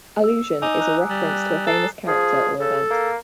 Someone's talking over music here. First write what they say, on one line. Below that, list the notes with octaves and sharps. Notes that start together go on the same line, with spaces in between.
Allusion is a reference to a famous character or event.
E6
D#4 G#5 D6 D#6
A#5 F#6
G3
F#6
A4 A#5 C7
F3 G#4
C#3 A4
A#3